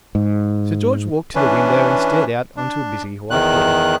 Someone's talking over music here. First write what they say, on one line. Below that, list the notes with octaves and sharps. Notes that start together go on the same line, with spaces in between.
Sir George walked to the window and stared out on to busy Whitehall.
G#2
E3 C#4 D4 B4
D4
E2 D#3 F#6